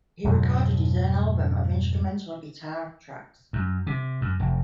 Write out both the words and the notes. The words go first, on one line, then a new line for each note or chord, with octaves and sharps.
He recorded his own album of instrumental guitar tracks.
F2 G#2 B2 F#3
F#2
C3
F#2
F1